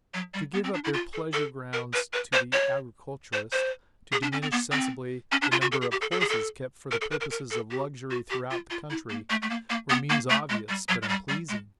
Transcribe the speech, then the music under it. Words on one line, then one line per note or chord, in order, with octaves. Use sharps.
To give up their pleasure-grounds to the agriculturist, to diminish sensibly the number of horses kept for the purposes of luxury throughout the country, were means obvious, but unpleasing.
F#3
G3
B3
C4
D4
E4
F4
A4
A4
A#4
B4
B4
C5
C#5
C5
C5
G#4
D4
C#4
C4
B3
C4
C#4
D4
F4
F#4
A4
G#4
G4
A4
A4
G#4
A4
A#4
A4
B4
A#4
A#4
A4
G4
F#4
G4
F4
F4
E4
A#3
A3
A3
A#3
A#3
B3
A#3
A3
G#3
G3
F#3
G#3
G3
G3
G#3